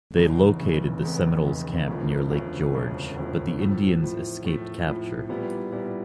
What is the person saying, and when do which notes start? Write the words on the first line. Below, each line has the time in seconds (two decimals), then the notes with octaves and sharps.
They located the Seminoles' camp near Lake George, but the Indians escaped capture.
0.16 F1 E2 C#3
0.59 F1 E2 C#3
1.03 F1 E2 C#3
1.44 F1 E2 C#3
1.87 E1 D2 C#3 F3
2.30 E1 D2 C#3 F3
2.73 E1 D2 C#3 F3
3.16 E1 D2 C#3 F3
3.59 A2 F3 A3
4.01 A2 F3 A3
4.44 A2 F3 A3
4.87 A2 F3 A3
5.29 A#2 G3 B3 E4
5.71 A#2 G3 B3 E4